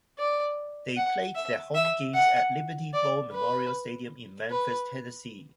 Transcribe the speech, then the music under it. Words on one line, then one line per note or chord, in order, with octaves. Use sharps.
They played their home games at Liberty Bowl Memorial Stadium in Memphis, Tennessee.
D5
F#5
E5
E5
F#5
D5
B4
B4